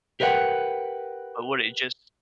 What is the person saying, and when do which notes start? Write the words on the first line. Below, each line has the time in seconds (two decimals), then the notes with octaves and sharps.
but would it just
0.20 G4 A#4 B4 D#5 F#5 G5